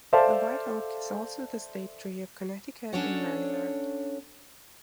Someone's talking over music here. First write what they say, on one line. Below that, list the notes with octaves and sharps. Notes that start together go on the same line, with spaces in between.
The white oak is also the state tree of Connecticut and Maryland.
A4 C5 D5 E5 F5 A5
C#4 D4 A4 C#5 D5 F#5